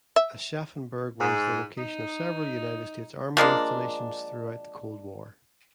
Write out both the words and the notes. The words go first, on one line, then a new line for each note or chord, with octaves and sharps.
Aschaffenburg was the location of several United States Army installations throughout the Cold War.
E5
G#2
D#4
F3 G#3 A#3 D4